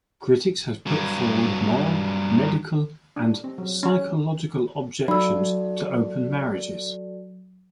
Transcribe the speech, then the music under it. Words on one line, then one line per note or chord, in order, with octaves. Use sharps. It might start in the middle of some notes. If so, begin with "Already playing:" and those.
Critics have put forward moral, medical, and psychological objections to open marriages.
G2 F#3
D4
C4
F#3
C#4
F#3 F#4 A4 D5 B5 E6